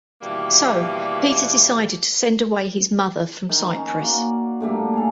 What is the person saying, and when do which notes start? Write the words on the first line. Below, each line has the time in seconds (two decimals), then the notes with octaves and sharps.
So, Peter decided to send away his mother from Cyprus.
0.20 B2 D#3 E3 G3 A#3
3.49 D#3
3.76 C#4
3.99 A#3 F#4 D5
4.60 A2 D3 G3 A#3
4.94 A4 F5 G#5